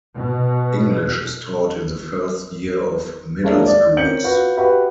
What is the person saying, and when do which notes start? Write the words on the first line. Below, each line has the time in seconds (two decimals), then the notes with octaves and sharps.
English is taught in the first year of middle schools.
0.17 B2
3.44 G#3 A#3 D4 C#5 E5
3.66 D5
3.97 C4 C#4 A#4 G6 C#7 F#7
4.24 F4 F#4 B4
4.57 F#4 G4 B4 E5